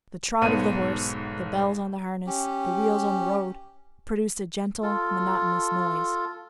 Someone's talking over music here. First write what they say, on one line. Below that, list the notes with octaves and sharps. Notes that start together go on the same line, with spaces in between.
The trot of the horse, the bells on the harness, the wheels on the road, produced a gentle, monotonous noise.
B1 G#2 B3 A4 D#7
C#4 G4
F4 A4